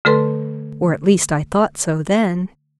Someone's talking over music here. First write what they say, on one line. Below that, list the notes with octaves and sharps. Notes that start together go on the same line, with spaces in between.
Or at least I thought so then.
D3 A3 A4 B4 C6